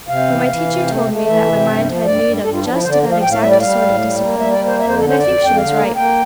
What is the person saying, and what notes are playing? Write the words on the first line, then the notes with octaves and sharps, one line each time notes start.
But my teacher told me that my mind had need of just that exact sort of discipline, and I think she was right.
C3 F5
E3
E3
C3
A3
A3
E3 E5
C3
G2
F3
G2 D5
G2
G2 A4
F4
F3 D4
E4
D3 C5
D5
F3
F5
A2 G5
F5
G3 E5
D5
G3 F5
A2
G3
A#3
G3 E5
D5
A#3
C5
F2 E5
C5
D3 A4
C5
F2 D5
F2
G5
D3 F5
A#3
A#3 G5